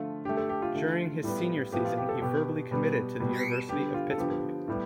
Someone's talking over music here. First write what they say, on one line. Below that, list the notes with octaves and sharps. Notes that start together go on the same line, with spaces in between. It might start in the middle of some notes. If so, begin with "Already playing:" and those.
During his senior season, he verbally committed to the University of Pittsburgh.
Already playing: D3 F3 A3 F4
D3 A3 G4
A4
G4
F4
D3 A3
A2 G3 B3
A2 F3 B3 G4
F4
G4
A4
B2 B3 G4
B2 G3 B3
B2 G3 B3
D3 G3 B3 G4
F4
A4
D3 F3 B3 G4
A2 G3 B3